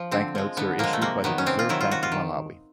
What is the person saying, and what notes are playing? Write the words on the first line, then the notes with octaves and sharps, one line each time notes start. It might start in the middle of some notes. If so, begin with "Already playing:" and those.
Banknotes are issued by the Reserve Bank of Malawi.
Already playing: F3
D3 C4
F3 G#3
D3 B3
F3 G#3 A#3
A3
C3 A#3
D#3 F#3 B3
C#4
C3 C4
F4
D#3 F#3 E4
F4
C3 F#4
F4
D#3